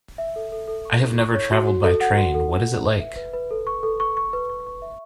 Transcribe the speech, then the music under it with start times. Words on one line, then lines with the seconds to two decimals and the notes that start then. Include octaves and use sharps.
I have never traveled by train, what is it like?
0.18 E5
0.36 A4
0.52 A4
0.68 A4
0.85 C#6
1.01 E4
1.18 C#6
1.34 C#5
1.51 F#4
1.67 F#4
1.84 A4
2.01 F#5
2.17 F#4
2.34 A4
2.51 A4
2.67 F#4
2.84 B4
3.00 E5
3.16 B4
3.34 B4
3.51 A4
3.67 C#6
3.83 A4
4.00 C#6
4.17 C#6
4.33 B4
4.50 C#6
4.67 C#6
4.82 E5